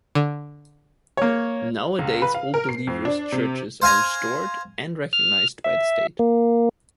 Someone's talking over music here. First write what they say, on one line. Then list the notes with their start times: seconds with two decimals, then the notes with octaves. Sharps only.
Nowadays Old Believers' churches are restored and recognized by the State.
0.15 D3
1.17 A#3 C#5
1.99 C#2
2.22 B4
2.34 F5
2.54 A#4
2.69 C7
2.87 F2
3.05 D4
3.32 C3
3.82 C5 F5 G#5 A#5
5.13 F6
5.64 E5
6.19 A#3